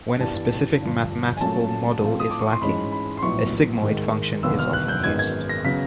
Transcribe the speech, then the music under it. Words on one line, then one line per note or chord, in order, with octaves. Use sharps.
When a specific mathematical model is lacking, a sigmoid function is often used.
G2 E3 G3 B3 A5
G2 D3 F3
G#5
A#2 F#3 A3 C#4 A5
A2 E3 A3 C4 F4
D#6
D6
C#6
C6
G#2 E3 G#3 C#4 B5
B5
C6
A#1 A2 F#3 B3 C#6
G#2 D#3 G#3
E1 D#2 D3 F#3 B3 E6
F6
F#6
G6
G#1 F#2 D#3 G#3 B3 G#6
G#6
A#6
C#3 F#3 B3 B6